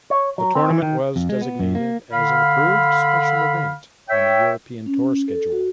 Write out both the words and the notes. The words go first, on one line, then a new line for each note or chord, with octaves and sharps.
The tournament was designated as an "Approved Special Event" on the European Tour schedule.
C#5
F#3
C4
E3
D#3
F2
G#3
B3
F#2
A#3
D3 F5 B5
C#5 E5 G5
C#4
A4
F#4